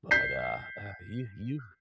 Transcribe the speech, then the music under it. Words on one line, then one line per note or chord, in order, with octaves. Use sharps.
but, uh, uh, you you
G6 B6 C7